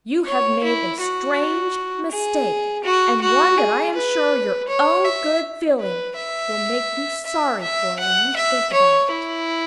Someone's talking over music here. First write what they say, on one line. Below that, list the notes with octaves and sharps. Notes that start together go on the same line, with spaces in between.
You have made a strange mistake, and one that I am sure your own good feeling will make you sorry for when you think about it.'
C#5
E4
F#4
G#4
F#4
F#4
G#4
B4
C#5
E5
B4
E5
E5
E5
F#5
E5
C#5
E4